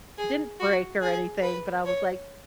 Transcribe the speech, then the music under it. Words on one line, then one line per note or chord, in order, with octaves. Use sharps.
It didn't break or anything, but I was like,
G#4
F#4
G#4
B4
C#5